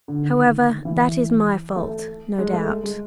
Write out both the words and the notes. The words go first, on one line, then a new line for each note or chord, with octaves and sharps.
"However, that is my fault, no doubt."
D3
D#3
E3
A3
G#3
A3
G#3